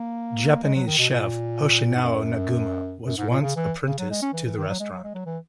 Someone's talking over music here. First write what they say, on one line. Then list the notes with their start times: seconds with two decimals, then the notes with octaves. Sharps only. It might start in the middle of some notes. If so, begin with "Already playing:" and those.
Japanese chef Hoshinao Naguma was once apprenticed to the restaurant.
Already playing: A#3
0.63 G#3
0.75 F#3
0.87 D#3
0.99 B2
1.10 A#2
1.96 G#2
2.03 F#2
3.07 F#2
3.18 G#2
3.30 A#2
3.41 C#3
3.57 E3
3.88 C#3
3.99 F#3
4.10 G#3
4.23 C#4
4.33 E3
4.45 E3
4.57 D#3
4.69 F#3
4.80 G#3
4.92 F#3
5.04 G#3
5.15 F#3
5.26 E3